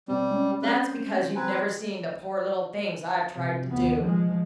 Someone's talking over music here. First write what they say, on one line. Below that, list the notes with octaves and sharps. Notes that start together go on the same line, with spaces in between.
"That's because you've never seen the poor little things I've tried to do."
B2 G3 C4
G#3 C#4
G3 C4 C#4 G#4 B4
C5
C4 B4 G#5 A#5 G#6
C3
D#2 B3
F3 G#3